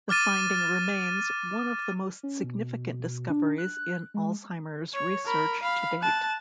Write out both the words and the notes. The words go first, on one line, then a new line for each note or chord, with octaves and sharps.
The finding remains one of the most significant discoveries in Alzheimer's research to date.
D6 F6 A6 D#7
C#4
B2
D4
F#6
G#3
C#5
A#4 B5
F5 B5
A5 F#6